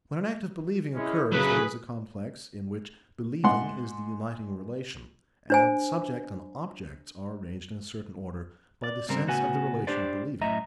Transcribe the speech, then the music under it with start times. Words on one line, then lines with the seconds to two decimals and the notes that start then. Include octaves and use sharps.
When an act of believing occurs, there is a complex, in which 'believing' is the uniting relation, and subject and objects are arranged in a certain order by the 'sense' of the relation of believing.
0.94 G#3 C#4 E4
1.32 C#3 F#3 G#4 B4
3.44 G#2 F#5 C6
5.50 D4 C5 G#5
8.84 D5
9.08 G#2 C#3 G3 C4 A#4
9.27 A2 C#3 B3 F#4 F#5 G#5
9.87 D4 G4 C5 D5
10.41 F#2 A2 D#5 E5 A#5